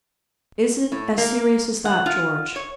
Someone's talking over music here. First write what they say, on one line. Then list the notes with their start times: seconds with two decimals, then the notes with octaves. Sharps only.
"Is it as serious as that, George?"
0.92 A2
1.18 A#3
1.85 F#5
2.06 F4
2.56 C#5